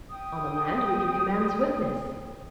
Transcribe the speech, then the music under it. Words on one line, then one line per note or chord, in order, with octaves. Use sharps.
On the land we can command swiftness.
G5 D#6